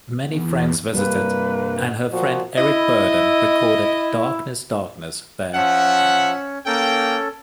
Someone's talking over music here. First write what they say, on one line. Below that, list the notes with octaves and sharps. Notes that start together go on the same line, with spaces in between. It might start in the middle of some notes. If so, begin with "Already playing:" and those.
Many friends visited, and her friend Eric Burdon recorded "Darkness Darkness" there.
E2
G2 C3 G3 A#3 B4
A#2 F3 F#4
E4 D#5
F3 C#4 E5 F#5
A#3 C#4 A4 G5